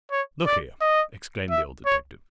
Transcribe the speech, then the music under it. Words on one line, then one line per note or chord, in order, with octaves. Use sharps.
"Look here!" exclaimed the old detective.
C#5
D5
D#5
E5
C#5